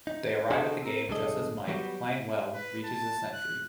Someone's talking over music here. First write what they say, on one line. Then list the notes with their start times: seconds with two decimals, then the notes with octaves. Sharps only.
They arrive at the game just as Mike, playing well, reaches his century.
0.07 D#4
0.50 D4 D#4 F#4 G#4 A4 C5
0.82 C4 A#4
1.08 B1 G2 D3 G#4 A4 D#5
1.67 F#3 G3 B3 F#4 G4
2.54 B4
2.84 A5
3.33 F#6